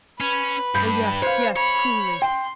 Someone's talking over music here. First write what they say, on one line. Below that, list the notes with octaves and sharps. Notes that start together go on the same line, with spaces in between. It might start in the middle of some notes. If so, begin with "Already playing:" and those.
"Oh, yes, yes, cruelly!"
C#4 B4
G2 B5 G6
C5 C#5 F5
C#5 B5
G5 C6